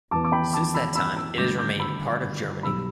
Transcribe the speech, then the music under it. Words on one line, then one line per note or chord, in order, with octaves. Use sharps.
Since that time it has remained part of Germany.
E2 E3 B3 A5 D6
D6
G5 B5
A5 D6
B5 E6
B5 E6
B5 E6
G2 D3 A3 D6 G6
D6 G6
B5 E6
B1 B2 G3 B5 E6